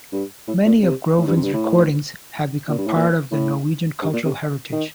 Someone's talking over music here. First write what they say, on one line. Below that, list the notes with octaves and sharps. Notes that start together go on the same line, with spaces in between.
Many of Groven's recordings have become part of the Norwegian cultural heritage.
G2
A2
A#2
C3
A2
G2
F2
G2
A2
A#2
G2
A2
A#2
A2
G2
A#2
C3
D#3